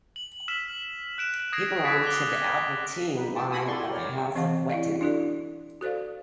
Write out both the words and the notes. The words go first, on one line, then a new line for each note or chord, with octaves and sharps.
He belonged to the Albertine line of the House of Wettin.
F#7
E6 F6 B6 E7 F#7
F#6 D7 E7
D#6 G#6 A#6 C7 D7
F#6 G#6 A6 B6 C#7 D7
D6 F#6 B6 G7
D#4 B4
F4 G4 A5
F4 G#5 B5 C#6 D#6 E6
E4 F#4 A4 D5 C6 C#6
G4 A#4 C#5 D5
E3 C4 D#5 F5 F#5 C#6
E4 D5 D#5 F5
D4 E4 F#4 A4 D5
F#4 A4 C5 D5 F5